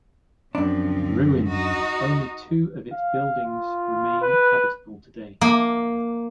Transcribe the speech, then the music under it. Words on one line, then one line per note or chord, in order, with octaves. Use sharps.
Ruined, only two of its buildings remain habitable today.
F#2 F3 C4 D4
D#4 F#4
F5
F4
B4
A#3